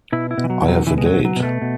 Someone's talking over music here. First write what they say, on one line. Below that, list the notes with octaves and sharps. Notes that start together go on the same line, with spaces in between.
I have a date.
B2 E4
E4
B2
E3
F#3
B2
F#3
B2 E3
G#3
F#3
B2
F#3
B2
A3
B2